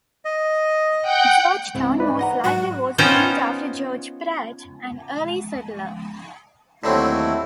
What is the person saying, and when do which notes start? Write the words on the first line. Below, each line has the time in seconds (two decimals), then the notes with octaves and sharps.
Georgetown most likely was named after George Pratt, an early settler.
0.25 D#5
1.02 F#5 G5 G6
1.75 C#2 G#2 C4 E4
1.98 D#4 B4 D5
2.19 D#5 F#5 A#5
2.44 G#2 F#3 F#4 D5
2.98 B3 C#4 D#4 F4 C5 G5
6.84 D#2 D3 F#3 A3 C4 E4